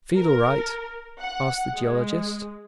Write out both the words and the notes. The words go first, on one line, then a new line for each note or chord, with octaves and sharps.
"Feel all right?" asked the geologist.
A#4
F#5
G#3